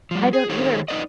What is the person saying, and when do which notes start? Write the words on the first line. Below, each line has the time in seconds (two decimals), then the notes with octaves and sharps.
I don't either.
0.11 F3 G3
0.33 G#4
0.49 D#3 D#4 G4 A4 C5 C#5
0.88 D#4 F4 B4 D5 D#5